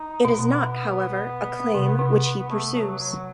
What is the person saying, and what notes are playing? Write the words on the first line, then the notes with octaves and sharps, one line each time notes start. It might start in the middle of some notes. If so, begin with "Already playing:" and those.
It is not, however, a claim which he pursues.
Already playing: D#4
B2 B3
C3
C3
A3
F#3
F#3